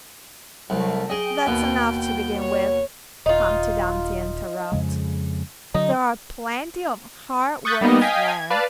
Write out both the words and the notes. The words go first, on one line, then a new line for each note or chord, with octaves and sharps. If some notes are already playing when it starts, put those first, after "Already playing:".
'That's enough to begin with,' Humpty Dumpty interrupted: 'there are plenty of hard words there.
C2 F#3 A3
G#4 D#5 G5
D#2 B2
G5
C#5
D#1 D#4 F4
F2 C#3 G#3
D3 F#3 D#4
C#6 D#6 F#6 G6 A6 B6
G3 A#3 B3 D#4 D#5
D#5 F5 G5 G#5 G#6 B6
G#6
B4 D5 F5 A5